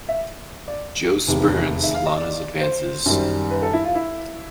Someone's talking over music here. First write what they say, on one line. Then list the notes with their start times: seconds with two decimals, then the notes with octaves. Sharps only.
Joe spurns Lana's advances.
0.09 E5
0.68 D5
1.27 F1 E2 C3 D#3
1.83 E5
1.95 F5
2.06 D#5
2.17 D5
2.61 C5
3.06 F#2 D#3 G3
3.51 B4
3.62 A4
3.73 E4
3.84 F4
3.95 E4